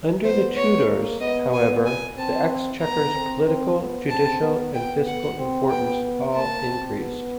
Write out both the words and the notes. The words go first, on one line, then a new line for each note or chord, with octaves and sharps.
Under the Tudors, however, the Exchequer's political, judicial and fiscal importance all increased.
B3 C5
C#5
A#3
B3 D#5
G#5
G#5
C4 A5
B3 A#5
C4
C4
B3
C4 A5
B3
B3 G5
F#5
C4
B3 G5
A#3 A5
C4
B3